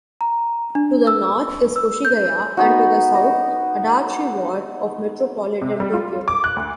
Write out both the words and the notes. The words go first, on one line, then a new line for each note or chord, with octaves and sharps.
To the north is Koshigaya and to the south Adachi Ward of Metropolitan Tokyo.
A#5
D4
E6
E6
G6
B3 D#4 F#4
D#5
C3
G3
F4
D6
F#6
D2